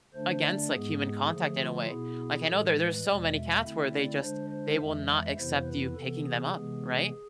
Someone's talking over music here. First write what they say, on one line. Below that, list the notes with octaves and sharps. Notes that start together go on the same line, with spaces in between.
against, like, human contact in a way, like, I know there there's so many cats where they just they will not accept you picking them up, right?
D3 A3 D4 C5
D5
G#2 G#3 B3 G#4
D3 F3 A3
F4
B2 B3 E4 G#4
A2 E3 G#3 A4
B4
E2 B2 G#3 D5
E5
D3 A3 C4 E4
D5
D3 G#3 D4 C5
C5
F2 E3 G#3 E5
E5
F2 C3 E3 B3 E4 C5
B4
C3 E3 B3 A4
G#4
C3 E3 G#3 B3